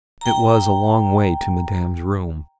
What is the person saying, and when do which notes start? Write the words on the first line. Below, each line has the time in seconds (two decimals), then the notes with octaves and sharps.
It was a long way to Madame's room.
0.21 G5 A#5